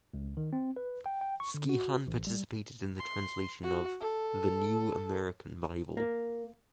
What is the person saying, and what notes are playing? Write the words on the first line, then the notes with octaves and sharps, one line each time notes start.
Skehan participated in the translation of the "New American Bible".
C#2
D#3
C4
B4
G5
G5
C#6
D3
F#4
A1
G3
C6
F#4
A4
A#3